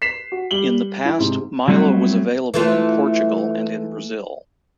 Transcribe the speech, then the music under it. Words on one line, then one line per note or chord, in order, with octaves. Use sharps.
In the past Milo was available in Portugal and in Brazil.
B6 C7 E7
F#4
G3 F#7 G7
E4
G#2 C3
F#3 G3 A3 C4 E4 F#4
E3 A3 F4